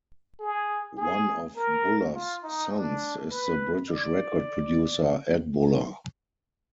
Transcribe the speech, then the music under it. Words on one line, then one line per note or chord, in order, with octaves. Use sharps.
One of Buller's sons is the British record producer Ed Buller.
G#4
G#4
A#4
F4
D#4
D4
B4
D5